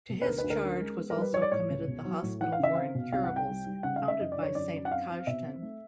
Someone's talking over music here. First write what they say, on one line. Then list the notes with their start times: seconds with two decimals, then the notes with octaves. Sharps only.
To his charge was also committed the hospital for incurables, founded by Saint Cajetan.
0.09 B2
0.22 B4
0.26 D2 A#4
0.38 B4
0.44 D2
0.50 A#4
0.62 C#4
0.80 G#3
0.98 B3
1.10 A#4
1.16 G3
1.21 B4
1.33 G3 C#5
1.42 D5
1.52 A2 C#5
1.70 C#2
1.87 B2
2.05 F#3
2.23 A2
2.40 E3 F#5
2.52 F5
2.59 C#3 E5
2.75 C4 F5
2.95 B2
3.12 C2 F5
3.24 F#5
3.30 C2
3.36 G5
3.48 G3
3.66 G3
3.83 C#3 F#5
3.96 F5
4.01 C#3
4.08 E5
4.20 F#2 D#5
4.32 D5
4.37 D3
4.42 C#5
4.55 F#2 D5
4.73 F#2
4.85 F#5
4.91 C4 F5
5.09 C4
5.27 B2 E5
5.45 C4
5.62 A3